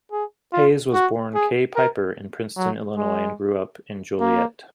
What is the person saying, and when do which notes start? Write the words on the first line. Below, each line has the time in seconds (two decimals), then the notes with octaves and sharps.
Hays was born Kay Piper in Princeton, Illinois and grew up in Joliet.
0.12 G#4
0.53 F4
0.94 F#4
1.35 G#4
1.76 A#4
2.57 F#3
2.97 G#3
4.20 A#3